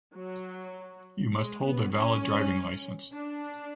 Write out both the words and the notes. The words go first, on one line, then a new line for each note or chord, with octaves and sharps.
You must hold a valid driving license.
F#3
G#3
B3
C#4
D4